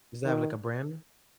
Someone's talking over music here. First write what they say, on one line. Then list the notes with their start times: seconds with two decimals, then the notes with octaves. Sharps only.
is that, like, a brand?
0.25 D#3